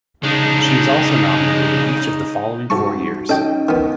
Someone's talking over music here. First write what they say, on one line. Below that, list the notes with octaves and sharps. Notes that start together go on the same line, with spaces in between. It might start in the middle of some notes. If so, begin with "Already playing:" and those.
She was also nominated in each of the following four years.
C#3 G#3 D4 D#4
G#2 G3 D#4 F#4 A5 C#6
C#4 D#4 A4 D#5 G5
D#3 B3